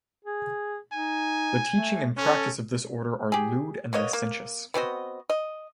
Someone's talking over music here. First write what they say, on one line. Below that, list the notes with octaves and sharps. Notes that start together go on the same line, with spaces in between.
The teaching and practice of this order are lewd and licentious.
G#4
D#4 G#5
A3
C#4 A4
G4 G#4
A#3 B3 C#5 D#5
A#3
B3 C4 F#4 D#5
D#5